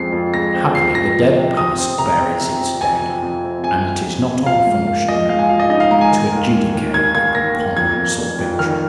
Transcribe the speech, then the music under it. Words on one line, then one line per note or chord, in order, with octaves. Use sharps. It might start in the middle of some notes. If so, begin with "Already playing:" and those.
Happily the dead past buries its dead, and it is not our function now to adjudicate the preponderance of victory.
Already playing: F2 G#3 C4 C7
F2
G#3 A#6
C4
F2 C7
F2 A#6
F3
C3
C3 D#6
C4
C3 A#5
C4
C3
C4
F2 G#5
F2
F2
C4
C4 G#5
F2
F3
F2
F3 F5
G#2
A#3 F5
F3 D#5
G#2 F5
G#5
F3 F5
D#5
D#4 D#5
F5
G#2 A#5
G#5
D#3
D#2
A#3
D#3
A#3 G#6
D#2 G#6
D#2 A#6
A#3
F2 G#6
F2
F1
F2
D#3 F6